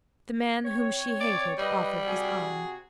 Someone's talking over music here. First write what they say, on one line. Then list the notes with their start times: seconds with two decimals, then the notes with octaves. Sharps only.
The man whom she hated offered his arm.
0.63 C4 C#5
1.21 D5
1.58 G3 B4 D#5
2.06 C3 F#4 G#4